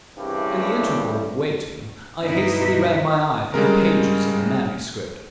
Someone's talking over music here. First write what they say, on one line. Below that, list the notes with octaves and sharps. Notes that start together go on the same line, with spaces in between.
In the interval of waiting, I hastily ran my eye through the pages of the manuscript.
C2 G2 C#3 E3 G3
G2 B2 D#4 E4 B4
C#3 G3 G#3 A#4